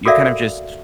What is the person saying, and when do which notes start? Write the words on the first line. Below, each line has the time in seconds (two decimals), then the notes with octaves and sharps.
you're kind of just
0.05 F#4 A4 A#4 D5 E5 F5